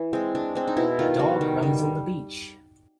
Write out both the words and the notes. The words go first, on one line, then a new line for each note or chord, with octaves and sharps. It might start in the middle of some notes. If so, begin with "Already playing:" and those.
A dog runs on the beach.
Already playing: E3
G#3 C4
G#3 D4
G#3 C4
D#4
B2 E4
D#3 F4
G3 F#4
D#3
G3